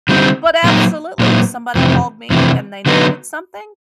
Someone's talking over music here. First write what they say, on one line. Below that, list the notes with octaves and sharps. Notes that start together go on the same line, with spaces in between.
but absolutely, if somebody called me and they needed something,
D3 G3 C4 D#4
A#2 F#3 A#3 D#4
A#2 F#3 A#3 D#4
F2 C3 E3
F2 C3 E3
D3 F#3 B3 D#4